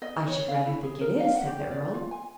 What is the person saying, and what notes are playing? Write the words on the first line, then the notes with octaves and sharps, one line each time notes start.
"I should rather think it is," said the earl.
D#5
C#5
F5
E4
G#4
A#4
F5
F#5
G4
D5
F4
G#5